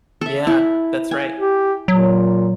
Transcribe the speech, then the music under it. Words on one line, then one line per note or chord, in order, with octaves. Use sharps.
Yeah, that's right.
A4 E5
E4
G#5
G4
A#2 F#3